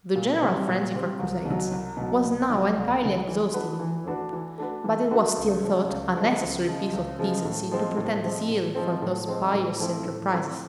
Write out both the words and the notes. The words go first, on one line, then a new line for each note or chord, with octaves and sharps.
The general frenzy for crusades was now entirely exhausted in Europe; but it was still thought a necessary piece of decency to pretend zeal for those pious enterprises.
A#2
G3 C4
A#2
G3 C4
C2
B2
F#3
C2
B2 F#3
C2
B2 F#3
C2
B2 F#3
E3
A3 D4 F#4 B4
E3
A3 D4 F#4 B4
E3
A3 D4 F#4 B4
E3
A3 D4 F#4 B4
C#2
C#3 F3 G#3
C#2
C#3 F3 G#3
C#2
C#3 F3 G#3
C#2
C#3 F3 G#3
A2
F3 G#3 C4
A2
F3 G#3 C4
A2
F3 G#3 C4
A2
F3 G#3 C4
A2
F3 A3 C4 E4
A2
F3 A3 C4 E4